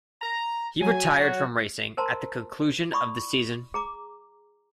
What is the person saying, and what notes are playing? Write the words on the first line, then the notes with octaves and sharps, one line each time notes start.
He retired from racing at the conclusion of the season.
A#5
F#3 G#5
F#4 C#5
A#4 C5 A5 A#5 C6
E4 D5 B5 C#6 D#6
G#4 A#5 D6